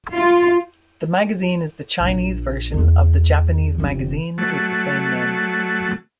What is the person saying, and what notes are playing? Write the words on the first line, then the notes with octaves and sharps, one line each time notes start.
The magazine is the Chinese version of the Japanese magazine with the same name.
F4
A#1
E2
F1 D3
F#3 A3